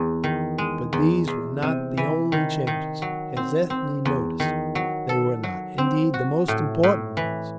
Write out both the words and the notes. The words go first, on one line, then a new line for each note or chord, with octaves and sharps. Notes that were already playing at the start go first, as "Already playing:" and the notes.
But these were not the only changes, as Ethne noticed; they were not, indeed, the most important ones.
Already playing: E2
D#3
G#3
E2
E2
C3
E3
D#3
D#3
F#3
C4
C4
E2
D#3
F#3
A4
F#3
C4
F#4
A2
A2
E3